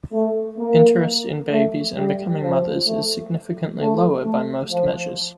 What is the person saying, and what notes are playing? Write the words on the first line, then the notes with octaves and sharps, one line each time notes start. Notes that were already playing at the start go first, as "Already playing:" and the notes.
Interest in babies and becoming mothers is significantly lower by most measures.
A3
A#3
A3
G3
F3
A3
A3
A3
F3